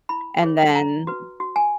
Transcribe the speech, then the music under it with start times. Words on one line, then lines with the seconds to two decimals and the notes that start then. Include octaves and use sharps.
And then
0.09 E4 B5
0.43 G#4 C#5
0.75 C#4 A#5
1.07 F#4 B4
1.40 F#4
1.56 G#5